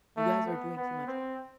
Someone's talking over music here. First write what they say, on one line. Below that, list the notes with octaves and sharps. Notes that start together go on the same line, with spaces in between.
You guys are doing too much."
A3
B3
B3
C4